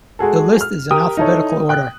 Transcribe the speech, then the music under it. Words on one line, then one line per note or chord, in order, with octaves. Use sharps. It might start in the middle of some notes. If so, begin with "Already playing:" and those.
The list is in alphabetical order.
G#3 F#4 G#4 A4
F6
G4 A#4 G5 D#6
D#4 E4 A4 C#5
G5 F#6